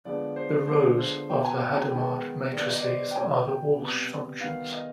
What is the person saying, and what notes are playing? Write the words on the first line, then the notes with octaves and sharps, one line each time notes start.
The rows of the Hadamard matrices are the Walsh functions.
D3 F3 G#3 B3 D5
C5
D3 F3 G#3 B3 C5
C5
B2 B3 G5
G#5
G5
G#5
D#3 G#3 B3 G5
D#3 G3 B3 D5
D#5
D5
C5
G5
B2 G3 B3 G#5
G5
C3 G3 B3
D#3 G3 B3 F5
D#5